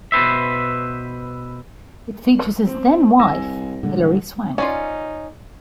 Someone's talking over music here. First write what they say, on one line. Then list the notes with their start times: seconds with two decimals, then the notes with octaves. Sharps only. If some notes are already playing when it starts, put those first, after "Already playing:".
It features his then wife Hilary Swank.
0.12 B2 B4 C5 E5
2.67 C4
3.19 C2 G#5 E6 A#6
3.83 A#2 D3 G3 G#3
4.58 C#4 D#4 F4 G#4 D5